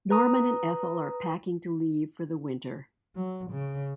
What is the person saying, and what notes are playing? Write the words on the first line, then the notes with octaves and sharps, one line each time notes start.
Norman and Ethel are packing to leave for the winter.
B4 A#5 D#6
F#3
C#3